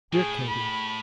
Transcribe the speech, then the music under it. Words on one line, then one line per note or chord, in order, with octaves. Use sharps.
Dear Katie!
A2 G#4
B5